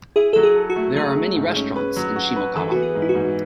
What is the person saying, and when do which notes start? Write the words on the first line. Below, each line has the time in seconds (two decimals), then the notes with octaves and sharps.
There are many restaurants in Shimokawa.
0.16 E4 G#4
0.33 F#3 A4
0.43 G#4
0.56 A4
0.70 F#4
0.76 A3
0.96 F#3 G#4
1.15 A3
1.36 G#2
1.56 C#4
1.76 B4
1.96 F#3
2.16 F#4
2.36 B4
2.56 E3 A4
2.71 B3 F#4
2.82 G#4
2.95 G#2
3.02 E4
3.09 F#4
3.15 G#2